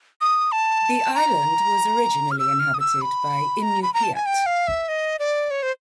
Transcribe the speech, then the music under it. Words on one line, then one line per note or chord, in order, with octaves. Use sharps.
The island was originally inhabited by Inupiat.
D#6
A5
A#5
F6
E6
F6
D#6
E6
B5
A#5
B5
A#5
A5
G#5
G5
F5
E5
D#5
D5
C#5
C5